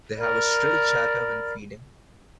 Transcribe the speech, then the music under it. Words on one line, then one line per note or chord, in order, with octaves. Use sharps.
They have a shrill chatter when feeding.
A#4 D5 B5